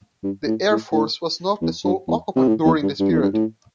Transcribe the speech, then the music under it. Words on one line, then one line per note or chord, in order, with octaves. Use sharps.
The Air Force was not the sole occupant during this period.
G2
A2
A2
A2
E2
G2
E2
C3
A2
E2
G2
G2
E2
G2
A2